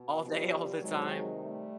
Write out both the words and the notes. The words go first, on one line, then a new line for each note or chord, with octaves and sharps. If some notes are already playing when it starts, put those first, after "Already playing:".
all day, all the time?
Already playing: B2
F3 G3
C3 D#3 F#3 G#3
G3 A3